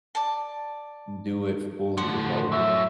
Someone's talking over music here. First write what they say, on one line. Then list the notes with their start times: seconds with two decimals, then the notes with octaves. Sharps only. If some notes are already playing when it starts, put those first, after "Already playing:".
do it fully remote.
0.15 D5 A5
1.98 A2 D3 F3 F#5
2.52 F#2 E5